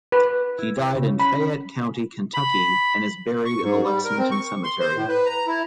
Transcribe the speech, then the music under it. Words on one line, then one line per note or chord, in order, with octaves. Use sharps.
He died in Fayette County, Kentucky and is buried in the Lexington Cemetery.
B4
E4
C#3
B5
B5
C#6
G#2
G3
A#4
C4
C#6
C6
C5
A2
B4
A#5
E4